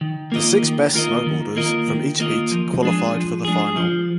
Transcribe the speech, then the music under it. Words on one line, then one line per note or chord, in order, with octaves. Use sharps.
The six best snowboarders from each heat qualified for the final.
D#3
A#3 F4 A#4 D#5
D#3
A#3 F4 A#4 D#5
D#3
A#3 F4 A#4 D#5
D#3
A#3 F4 A#4 D#5
F3
G#3 D4 G#4
F3
G#3 D4 G#4
F3